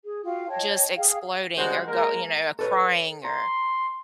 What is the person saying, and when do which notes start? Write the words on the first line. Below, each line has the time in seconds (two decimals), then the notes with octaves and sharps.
just exploding or go you know, crying or
0.04 G#4
0.25 F4 F#4 F5 G5
0.49 C#5 D#5 G5 A5
0.97 G#4 F5 G5
1.57 C#2 G3 G#3 F#4 C5
1.87 G#3 A#3 A#4
2.59 A4 B4 C#5
3.25 A#5 C6